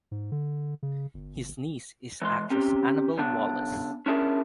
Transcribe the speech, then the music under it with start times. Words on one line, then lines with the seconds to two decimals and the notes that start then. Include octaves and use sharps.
His niece is actress Annabelle Wallis.
0.11 G#2
0.32 D3
0.83 C#3
1.14 G1
2.22 E3 G#3 C6
2.50 C4 C#4 G4
3.18 C#3 B3 D4
4.06 C#4 D4 E4 G#4 A#4